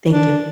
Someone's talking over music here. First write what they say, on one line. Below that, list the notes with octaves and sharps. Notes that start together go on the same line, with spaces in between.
Thank you.
D4